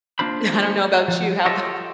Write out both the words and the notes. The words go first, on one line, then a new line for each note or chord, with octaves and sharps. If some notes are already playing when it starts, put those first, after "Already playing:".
I don't know about you, how about
A#3 D4 F4 C5 B5
F3
F4 G4 A4 C#5 D#5 E5